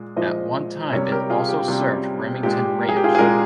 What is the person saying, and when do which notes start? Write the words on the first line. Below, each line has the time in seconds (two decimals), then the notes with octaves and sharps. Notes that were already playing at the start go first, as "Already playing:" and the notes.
At one time it also served Remington Ranch.
Already playing: A#2 G#3
0.16 A#2 F3 G#3 C5 D#5
0.93 C3 G3 A#4 C#5
1.12 G4 A#4
1.30 F4 G#4
1.49 G4
1.68 C3 G3
2.43 A#2 G#3 G4
2.82 A#4
2.89 G#4
2.97 G4
3.04 F4 G#4
3.15 G#4
3.18 A#2 G#3 G4 A#4